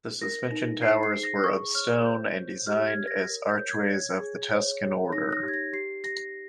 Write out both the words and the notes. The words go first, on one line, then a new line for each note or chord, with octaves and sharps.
The suspension towers were of stone, and designed as archways of the Tuscan order.
A#4 A#6
D#4
C5 C7
C7
G#4
A#6
G#4 C#6
C#5 F6
C5 G6
C5
G4 F6
G#6
C#5
A#6
A#4
G6
C#5
G#6
C#5
G#4
C#5
C#5
D#4 A#6
A#6
G4
G#6
A#6
G4 C7
G4 A#6